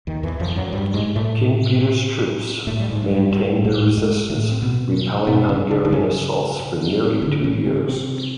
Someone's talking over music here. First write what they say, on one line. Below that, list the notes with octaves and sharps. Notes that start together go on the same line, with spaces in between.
King Petar's troops maintained their resistance repelling Hungarian assaults for nearly two years.
D#2 D#3
E2 E3
F2 F3
F3
F#2 F#3
F#3
G2 G3
G#2 G#3
A2 A3
A2 A3
G3
G#2 G#3
F#3
G2 G3
G2 G3
A2 A3
G#2 G#3
A2 A3
C4
B2 B3
B2 B3
C#3 C#4
D4
D3 D4
C#3 C#4
D3 D4
C#3 C#4
C4
C#4
C3 C4